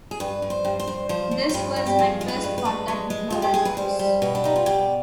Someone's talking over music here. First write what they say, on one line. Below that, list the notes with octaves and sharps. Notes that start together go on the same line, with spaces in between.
This was my first contact with Norah Jones.
G#4
G2 B4
G2
C5
G2
C5
G2
F3 C5
F3
C5
G2 B4
G2
G4
F3 G#4
G#3
B4
G2
B4
G#3
G#3
G#3
G2 F4
G4
G#3 G#4
B4
G3 C5
G3
B2 B4
D4
G3 D#4
F4
B2 G4